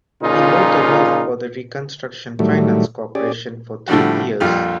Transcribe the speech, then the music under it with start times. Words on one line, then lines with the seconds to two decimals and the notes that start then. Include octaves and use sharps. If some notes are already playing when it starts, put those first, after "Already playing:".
He later worked for the Reconstruction Finance Corporation for three years.
0.22 A#2 C#3 F3 D#4 F4
2.39 A2 D#3 F#3 G3 A3
3.15 C#4 G4 G#4 D5
3.88 A2 D3 F3 G3 F#4
4.40 A#1 F2 G3 F4 G4 F6